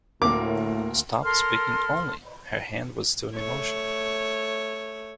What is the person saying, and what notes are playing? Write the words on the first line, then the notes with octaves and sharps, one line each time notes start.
Stopped speaking only; her hand was still in motion.
D2 A2 A#3 D6
A4 A#4 C6 F6
A3 C#5